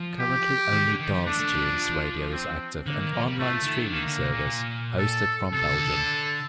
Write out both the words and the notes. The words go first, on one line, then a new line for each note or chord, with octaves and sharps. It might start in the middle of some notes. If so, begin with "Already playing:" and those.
Currently only Dance-Tunes Radio is active, an online streaming service hosted from Belgium.
Already playing: F3
G4
D#3
D3
D#3
F3
A3 D4
A3
G3
F3
C4
D3 A#3
D#3
F3
G3
F3 A3
D3
D#3
D3
D#3 A#3
D3
C3
A#2
A4
C3 A4
D3
D3